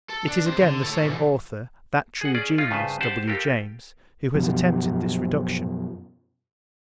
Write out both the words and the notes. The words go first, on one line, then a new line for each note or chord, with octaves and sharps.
It is again the same author, that true genius, W. James, who has attempted this reduction.
A4
D4
C3 C5
D3
A4 C#5
B2 E3
G#4 F#5
C#4 G#4 D5
C#4 D#4 F4
G2 C#3 B4 C5
G4 C5 F#5 A5
F4 G4 A4 A#4
F#2 B2 F3